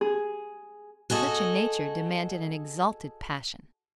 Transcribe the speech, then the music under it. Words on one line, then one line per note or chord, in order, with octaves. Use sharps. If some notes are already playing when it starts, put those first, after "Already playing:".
Such a nature demanded an exalted passion.
G#4
F#4 G#4 A4 D#5